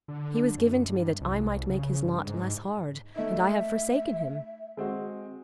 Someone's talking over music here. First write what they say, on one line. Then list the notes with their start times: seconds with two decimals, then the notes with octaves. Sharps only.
He was given to me that I might make his lot less hard; and I have forsaken him.
0.08 D3
0.58 F#2
0.89 G2
1.21 C2
1.69 C#3
2.04 G2
2.27 G#2
3.16 A3 D#4 E5
4.77 G#3 C4 F#4